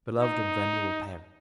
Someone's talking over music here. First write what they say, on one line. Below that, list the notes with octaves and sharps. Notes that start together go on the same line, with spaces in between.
Beloved and venerable parent!
D#4